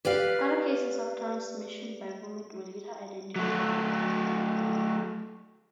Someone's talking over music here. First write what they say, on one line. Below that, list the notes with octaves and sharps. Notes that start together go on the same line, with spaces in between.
Other cases of transmission by vomit were later identified.
G4 B4 D5 F5
F#3 A3